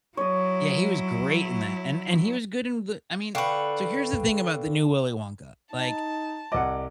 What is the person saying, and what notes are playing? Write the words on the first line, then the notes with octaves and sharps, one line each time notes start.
yeah, he was great in that, and and he was good in the I mean, so here's the thing about the new Willy Wonka, like,
F#3 E4 C#5 D#5
D3 B4 F5 G5 C#6
D#4 A5
C2 D#5 F#5 D6